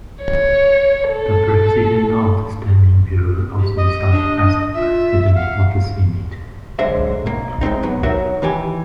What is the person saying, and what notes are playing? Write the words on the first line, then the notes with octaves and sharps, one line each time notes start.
The President of the Standing Bureau also serves as the President of the Senate.
C#5
A4
G4
D#5
D4
F4 E5
F5 F#5
D3 F#3 G#3 C5 E5
B1 A#3
A2 G#3 C4 D#4
B1 F#3 B3
F#3 D#4 F#4 A#4 E5
D#3 E3 G4 G#5